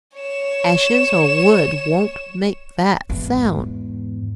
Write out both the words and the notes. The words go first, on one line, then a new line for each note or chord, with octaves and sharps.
Ashes or wood won't make that sound.
C#5 E7
E2 G#2